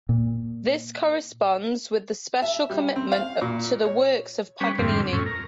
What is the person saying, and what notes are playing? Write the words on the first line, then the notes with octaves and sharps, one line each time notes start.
This corresponds with his special commitment to the works of Paganini.
A#2
E5
G3
C4
F5
A#2
C#5
G3 C#4 B4
F2 G#2 D3 G3 C4
F2 A2 C#4
A#4